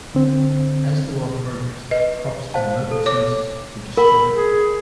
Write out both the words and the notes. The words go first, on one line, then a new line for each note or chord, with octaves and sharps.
As the war progressed, crops and local services were destroyed.
D3 C4
B4 D#5
C5 F5 A5
A4
C#5 D6
A#4 B5
G#4